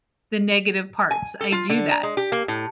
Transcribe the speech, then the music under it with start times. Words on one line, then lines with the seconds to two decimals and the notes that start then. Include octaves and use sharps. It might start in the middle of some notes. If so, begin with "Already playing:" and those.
the negative parts, I do that.
1.11 G#5
1.41 A4
1.52 F4
1.70 D3
1.92 A#5
2.03 G#3
2.17 G4
2.32 A#3
2.48 A2